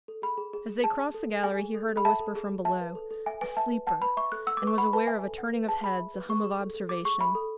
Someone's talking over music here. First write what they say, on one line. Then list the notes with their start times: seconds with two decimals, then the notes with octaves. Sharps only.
As they crossed the gallery he heard a whisper from below, "The Sleeper," and was aware of a turning of heads, a hum of observation.
0.08 A4
0.22 G#4 B5
0.38 G#4
0.53 G#4
0.68 G#4
0.83 G#4 A5
0.99 G#4
1.14 A4
1.30 A4
1.44 G#4 G#5
1.59 G#4
1.74 A4
1.89 A4
1.97 B5
2.05 E5 A5
2.20 A4
2.35 G#4
2.50 G#4
2.65 E5 A5
2.80 B4
2.95 A4
3.11 A4
3.26 E5 G#5
3.41 B4 G#5
3.57 E5 A5
3.72 B4
3.87 F#5 A5
4.02 B4 B5
4.17 E5 C#6
4.32 A4 F#6
4.47 F#5 E6
4.57 B4 D6
4.67 C#6
4.78 F#5 B5
4.93 B4 A5
5.07 E5 G#5
5.23 A4
5.38 F#5
5.53 B4
5.69 G#4 A5
5.83 G#4 B5
5.99 E5
6.14 B4
6.29 G#4 C#6
6.44 G#4
6.60 A4
6.75 A4
6.89 G#4 D6
7.05 G#4 C#6
7.20 E5 B5
7.35 A4